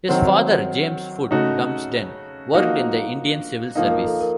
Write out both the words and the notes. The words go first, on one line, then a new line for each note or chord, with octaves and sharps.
His father, James Foot Lumsden, worked in the Indian Civil Service.
D#3 F#3 C4 F#5
C#3 A3 D#4 F#4
F3 A#3 D#4 F#4 F5
F3 A#3 D#4 F5
A#4
A4
A#4